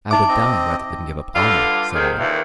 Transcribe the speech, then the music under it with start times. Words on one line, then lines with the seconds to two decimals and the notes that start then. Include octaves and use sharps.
"I would die rather than give up Almah," said I.
0.11 C#4 D#4 E5 D6
0.29 C4 D#5
1.36 G2 D3 F4
1.95 C3 D#3 G#3
2.18 D#2 A#2 E3